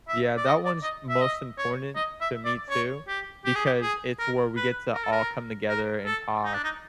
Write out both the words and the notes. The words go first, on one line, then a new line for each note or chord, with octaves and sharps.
Yeah, that one’s most important to me, too, because it’s where we get to all come together and talk,
E5
D5
D#5
D5
D#5
E5
D#5
C#5
D#5
E5
D5
C#5
G4
G4
G#4
G4
G#4
A#4
B4
A#4
A4
A#4
A#4
A4
D#4
D4
D#4